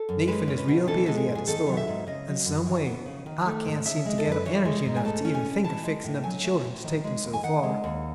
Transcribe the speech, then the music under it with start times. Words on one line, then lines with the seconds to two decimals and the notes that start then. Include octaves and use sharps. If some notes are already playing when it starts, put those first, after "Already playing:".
Nathan is real busy at the store; and, some way, I can't seem to get up energy enough to even think of fixing up the children to take them so far.
Already playing: A4
0.09 F#2
0.28 G#3 B4
0.48 C#4
0.58 B4
0.68 B2
0.87 E3 A4
1.06 G#3 A4
1.18 G#4
1.27 G#2
1.35 G#4
1.47 D#3 A4
1.67 F#3
1.73 F#5
1.77 E5
1.88 G#2
2.07 C#3 D#5
2.27 F#3
2.46 F#2
2.66 E3
2.86 B3
3.06 C#3
3.26 D#3
3.46 A3
3.66 G#2
3.85 C#3 E5
4.06 G#3
4.18 A4
4.25 F#2
4.32 B4
4.45 E3 C#5
4.65 G#3
4.85 G#2
4.96 G#5
5.05 A3 A5
5.25 C#4
5.35 G#5
5.45 B2
5.64 E3 A5
5.84 G#3
6.04 A2
6.24 F#3 G#5
6.43 A3
6.64 A2
6.84 D#3
7.04 G#3
7.24 D#2
7.33 G#5
7.43 D#3 F#5
7.63 G#3
7.84 D#2